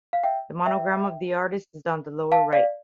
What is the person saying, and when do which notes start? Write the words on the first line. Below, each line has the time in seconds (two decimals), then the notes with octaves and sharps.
The monogram of the artist is on the lower right.
0.13 F5
0.24 E5 G5
0.66 E5 G5
2.32 F5 A5
2.53 D5 F5